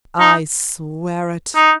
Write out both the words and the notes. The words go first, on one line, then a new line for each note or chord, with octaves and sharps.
"I swear it!"
D#4
D#4